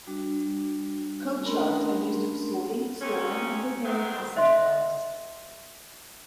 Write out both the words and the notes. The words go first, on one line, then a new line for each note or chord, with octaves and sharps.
Coach yards are used for sorting, storing and repairing passenger cars.
G3 D4 F#4
A3 C#4 D4 A#4 B5 C6
D#2 C#3 C4 C#4
D#3 G#3 B3 C4
C5 D#5 E5 C6